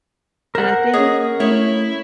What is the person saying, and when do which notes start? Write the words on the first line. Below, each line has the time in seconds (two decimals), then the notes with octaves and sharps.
and I think
0.55 A#4 C5 F#5
0.93 A#3 C#4 G#4 C#5 D#5
1.40 A3 C#4 E4 C#5